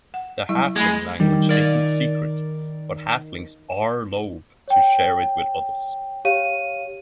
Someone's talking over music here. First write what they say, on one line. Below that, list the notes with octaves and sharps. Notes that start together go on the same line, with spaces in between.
The Halfling language isn’t secret, but halflings are loath to share it with others.
F#5
F#3 G3 E4
G#3 A3 B5
D#3 G3
A#4 D5
C#5 G5
G4 C#5 F5 D#7